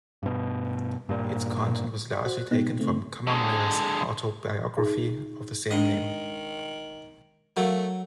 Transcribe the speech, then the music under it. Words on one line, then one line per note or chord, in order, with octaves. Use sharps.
Its content was largely taken from Cammermeyer's autobiography of the same name.
G2 B2
G2 A#2
D5 B6
F#4 C5 F#6
B2 G#3 B3 D#4 G4
C#3 A3 C4
D3 G#3
D#4 G#4 E5
D#3 G#3 D4 D#5
F#3 A3 A#4 F5